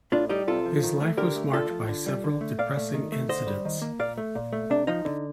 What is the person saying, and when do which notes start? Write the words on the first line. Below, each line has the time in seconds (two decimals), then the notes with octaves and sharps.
His life was marked by several depressing incidents.
0.12 A2 D4 F4
0.29 G3 D#4 G4
0.47 C3 F4 A4
0.65 F3
0.83 D#3
1.00 A3
1.17 D3 G4 A#4
1.36 A3
1.53 D3 F4 A4
1.71 F3
1.89 D3
2.06 G3
2.24 D3
2.41 A3
2.58 A#2 D5 F5
2.77 A3
2.94 D#3
3.12 A3
3.29 D3 C5 D#5
3.47 G3
3.65 D#3
3.82 A#3
3.99 A#2 D5 F5
4.17 A3
4.35 A#2
4.53 A3
4.70 C3 D4
4.87 F3 D#4
5.05 D3